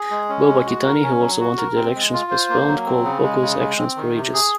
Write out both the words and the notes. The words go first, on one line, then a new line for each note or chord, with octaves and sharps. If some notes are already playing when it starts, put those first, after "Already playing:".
Bob-Akitani, who also wanted the elections postponed, called Boko's action "courageous".
Already playing: G#4
G#3
C#4
G#3
F#4
A#4
C#4
F#3
F#4
A#4
C4
G#3
F4
C5
A#3
F#3
C4
C#3
G#3
C#3
G#3
C4
D#3
C3
G#4